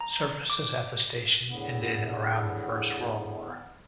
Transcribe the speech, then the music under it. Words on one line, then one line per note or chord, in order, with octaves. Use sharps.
Services at the station ended around the First World War.
A#5
D6
E2 A2 D3 B3